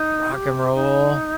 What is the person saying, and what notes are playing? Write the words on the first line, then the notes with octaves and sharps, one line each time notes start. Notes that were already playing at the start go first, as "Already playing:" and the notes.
Rock and Roll,
Already playing: D#4
G4
D#4